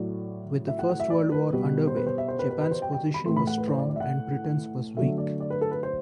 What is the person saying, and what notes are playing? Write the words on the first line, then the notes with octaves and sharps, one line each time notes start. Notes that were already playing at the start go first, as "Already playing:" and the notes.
With the First World War underway, Japan's position was strong and Britain's was weak.
Already playing: A2 F#3 A3 D5
E5
F#5
F#5
E5
D5
B4
B2 G3
C5
B4
C5
E5
C5
B4
B4
B4
C5
G5
G5
B5
A2 E3 A3 C6
B5
F#5
B4
C5
D5
D5
E5
F#5
D3 F#3 A3 E5
D5
D5
B4
A4
B4
C5